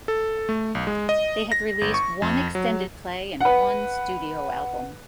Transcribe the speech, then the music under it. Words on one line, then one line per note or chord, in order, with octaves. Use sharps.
They have released one extended play and one studio album.
A4
A3
B1
G#3
D#5
A#6
G1
C#6
F2
F#3
B4 F#5